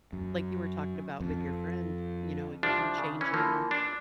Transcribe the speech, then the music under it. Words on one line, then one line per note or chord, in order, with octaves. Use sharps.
like, you were talking about with your friend, you know, again, changing
F#2
F2
C2 F3 D4
C#3
E3 C#4
E3 F3 A#3
D4